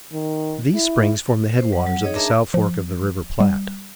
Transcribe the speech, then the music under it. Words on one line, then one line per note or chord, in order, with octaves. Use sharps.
These Springs form the head waters of the south fork of the River Platte.
D#3
E4
C5
F#3 F#5
F#3
D#4 G#4 C#5 D#5
D4 G#4 A#4 E5 A5 A#5
F3
G3